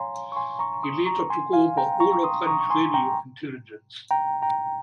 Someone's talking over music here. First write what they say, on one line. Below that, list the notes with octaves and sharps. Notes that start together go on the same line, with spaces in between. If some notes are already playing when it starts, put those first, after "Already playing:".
He later took over all of French radio intelligence.
Already playing: C#5 F5 G#5 A#5 C6
C#6
G#5 C6
A#5 C#6
C6 D#6
A#5 C#6
G#5 C6
F5 G#5
G5 A#5
A#5 C#6
C6 D#6
D#6
A#5 C#6
C#6
G#5 C6
G5 A#5
G5 A#5
G5 A#5